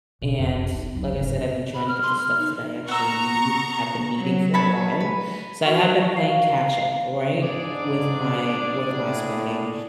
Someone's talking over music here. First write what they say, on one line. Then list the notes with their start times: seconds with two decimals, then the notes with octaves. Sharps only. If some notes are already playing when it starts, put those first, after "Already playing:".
and like I said, I've been trying to get the stuff that I actually need, have been needing for a while, so I have been playing catch-up, right, with my with my spending,
0.22 B2
0.39 F2
0.55 C4
0.75 D#4
0.95 F#3 D#4
1.12 F1 G#2
1.74 B5
1.88 F6
2.02 C6
2.17 F6
2.38 D#4
2.88 B3 A#5 C#6 E6
4.18 F#3
4.54 C#5 A5 B5
5.00 B4
5.66 F#4
6.17 F5
7.43 G#2 D4 G#4 D5
8.93 A2